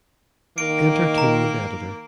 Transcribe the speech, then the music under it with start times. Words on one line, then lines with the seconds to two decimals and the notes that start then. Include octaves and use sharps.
Entertainment editor.
0.58 D#3 A#3 D7
1.18 A#5